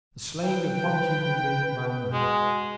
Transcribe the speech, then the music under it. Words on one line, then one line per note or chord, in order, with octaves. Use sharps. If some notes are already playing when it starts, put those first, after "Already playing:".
The slaying of one human being by another.
B4 G5
G#3 F#4